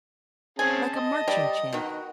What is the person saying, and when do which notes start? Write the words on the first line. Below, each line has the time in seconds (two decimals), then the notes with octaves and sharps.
like a marching chant?
0.59 C4 C#4 G#4 G#5 A5
0.96 D#5
1.28 G3
1.73 B2 D#3 F#4